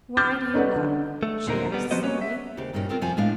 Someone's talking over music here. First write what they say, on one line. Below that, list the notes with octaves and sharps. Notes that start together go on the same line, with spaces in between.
"Why do you rock?" she asked slowly.
D6 F6 G6 A6
C#4 D#4 A4 B4 D5 F#5
D3
A3
D#2 A#2 D3 C4 D#4 A#4
G3 B3
F3 B3 C4 F#4 C5 D#5
A#3 B3 C#4 B4 C#5
E5
D#2 C#3 G4 C5
G2 A#2 A#3 C#4 D#4 F#4
B3 C4 F4 A#4
F2 C3 F3 F4 F#4 G#5
A2 G#3 D4 F5